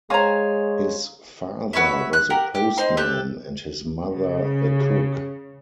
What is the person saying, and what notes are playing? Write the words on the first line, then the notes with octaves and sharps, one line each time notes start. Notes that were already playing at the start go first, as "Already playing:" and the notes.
His father was a postman and his mother a cook.
G#3 C5 C#5 F5 G#5 A#5
F#4 B4 C#5 E5
F#6
G4 A#4 F#5
G4
C4 D#4 C6
G4 A4 F#6 G6
C#3